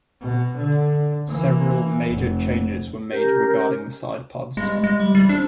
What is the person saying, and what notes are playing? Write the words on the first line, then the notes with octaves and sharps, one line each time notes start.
Several major changes were made regarding the side pods.
B2
D3
E3 A#3
F1
C#4 G4 A#4 G6
G2 G#3 F5
G#3
G3
E3 G3
C4 D4